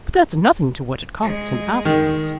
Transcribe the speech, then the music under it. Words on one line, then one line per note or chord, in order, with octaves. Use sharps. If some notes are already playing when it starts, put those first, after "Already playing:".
But that's nothing to what it costs him afterwards.
G#3
D#3